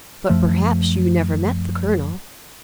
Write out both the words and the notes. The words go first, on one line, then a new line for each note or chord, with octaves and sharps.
"But, perhaps, you never met the colonel."
F#2 F3 A3